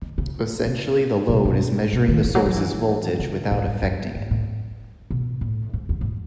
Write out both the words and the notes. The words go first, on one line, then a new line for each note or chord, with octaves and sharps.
Essentially, the load is measuring the source's voltage without affecting it.
D#3
C#3
C#3
B2
B2
B2
D#3
E3
F#3
F#3
E3
C#3
A2
F#2
F#2
G#2
A2
B2
A2
G#2
E2
G#2